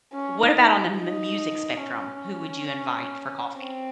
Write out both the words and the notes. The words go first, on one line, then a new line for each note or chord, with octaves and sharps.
What about on the mu music spectrum? Who would you invite for coffee?
C#4
D#4
D#4
C#4
C4